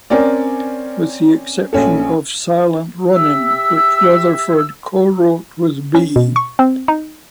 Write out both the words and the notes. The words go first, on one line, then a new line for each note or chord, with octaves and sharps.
With the exception of "Silent Running", which Rutherford co-wrote with B.
C4 C#4 A#4 D5
A#1 C#4 A4
G4 E5 E6
C#4
B2
C#6
C4
D#4